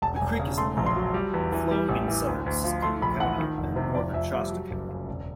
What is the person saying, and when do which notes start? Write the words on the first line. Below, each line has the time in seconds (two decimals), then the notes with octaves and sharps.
The creek is long, flowing in southern Siskiyou County and northern Shasta County.
0.02 E1 A5
0.16 G#5
0.21 E1
0.39 C#3
0.58 A3 C6
0.77 A#1
0.86 C6
0.96 F#3
1.14 G3
1.34 E2
1.52 E3
1.71 G3
1.89 A1
2.08 E3
2.27 D2
2.46 D2
2.64 F3
2.82 A3 C6
3.01 A#1 B5
3.20 E3 F#5
3.39 D#3
3.58 F1
3.76 C3
3.95 F2 D5
4.13 F2 E5
4.33 G3 E5
4.52 F#3
4.71 F#1
4.89 C#3
5.08 E1